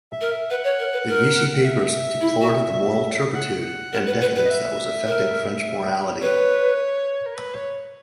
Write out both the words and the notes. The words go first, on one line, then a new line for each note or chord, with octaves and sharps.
The Vichy papers deplored the moral turpitude and decadence that was affecting French morality.
E5
A#4
E5
B4 F#5
C#5
A#4
B4
A#4
F#5
E5
E4
F#4
F#5
A#4
B4
B4
B4
D#5
E5
A#4
B4 C#5
A#4
B4
C#5